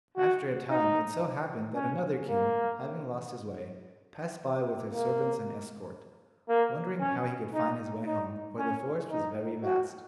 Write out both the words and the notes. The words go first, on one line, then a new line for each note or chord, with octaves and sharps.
After a time it so happened that another King, having lost his way, passed by with his servants and escort, wondering how he could find his way home, for the forest was very vast.
F#4
D#4
C#4
A#3
A#3
A#3
C#4
D#4
D#4
C#4
D#4
F#4